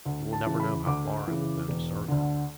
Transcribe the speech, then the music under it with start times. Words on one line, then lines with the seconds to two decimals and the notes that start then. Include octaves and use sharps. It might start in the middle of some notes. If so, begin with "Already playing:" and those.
He will never know how far I will go to serve him.
0.05 D2
0.33 A5
0.46 C#3 E3
0.60 B5
0.86 D2 D6
1.27 C#3 E3
1.68 E1
2.08 D2 D3